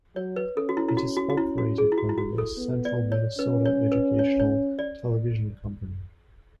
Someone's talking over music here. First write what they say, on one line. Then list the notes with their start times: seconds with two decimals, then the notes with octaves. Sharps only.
It is operated by the West Central Minnesota Educational Television Company.
0.16 F#3 C#5
0.36 B4
0.57 C#4 A4
0.69 F#4
0.77 E4
0.88 E4
0.97 F#4
1.17 F#4
1.30 F#4
1.38 E4
1.58 F#4
1.78 G#4
1.92 E4
1.98 F#4
2.09 E4
2.18 F#4
2.38 A4
2.57 B3
2.85 D5
3.12 C#5
3.38 C#4 B4
3.66 C#5
3.92 B4
4.19 C#5
4.40 C#5
4.79 D5